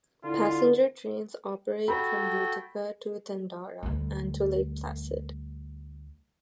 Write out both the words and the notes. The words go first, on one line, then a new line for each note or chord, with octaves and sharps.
Passenger trains operate from Utica to Thendara and to Lake Placid.
D3 E4 F4
F#4 A4 G5 B5
D2 G3